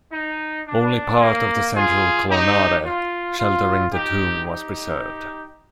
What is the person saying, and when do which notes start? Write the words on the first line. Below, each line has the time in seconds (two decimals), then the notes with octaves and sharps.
Only part of the central colonnade, sheltering the Tomb, was preserved.
0.12 D#4
0.67 D4
1.21 A#3
1.76 F4 G#4
2.30 D#4 G4
2.85 F4
3.38 F4
3.93 D#4 G4
4.48 D#4 G4